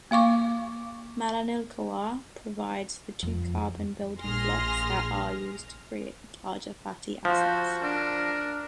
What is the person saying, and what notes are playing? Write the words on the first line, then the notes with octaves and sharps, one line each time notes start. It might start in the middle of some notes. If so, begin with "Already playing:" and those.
Malonyl-CoA provides the two-carbon building blocks that are used to create larger fatty acids.
A#3 F5 C#6 D6
F2
A#1 G#4 C6 F6 A#6
F3 F#4 C5
D4 A#4